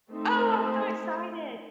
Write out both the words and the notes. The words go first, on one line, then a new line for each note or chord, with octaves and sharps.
Oh, I'm so excited.
A3 C4 D#4 C5 E5